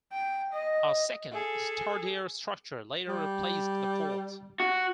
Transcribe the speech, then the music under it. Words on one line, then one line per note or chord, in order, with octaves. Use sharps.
A second, sturdier structure later replaced the fort.
G5
D#5
G#4 A4
G3
F#4